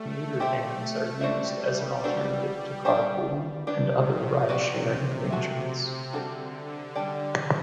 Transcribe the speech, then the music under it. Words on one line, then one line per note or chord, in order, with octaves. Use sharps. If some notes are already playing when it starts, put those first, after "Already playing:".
Commuter vans are used as an alternative to carpooling and other ride sharing arrangements.
Already playing: G3 A3 G4
C4 G4 C5 E5
G3 D4 F#4 C5 E5
G3
B3 D4 F#4 A4 C5
G3 B3 D4 G4 C5
C3 D4 G4 B4
B3 F#4 B4 D5
A3 D4 F#4 A4 E5
D3 G3 D4 F#4 A4
D3 G3 D4 G4 D5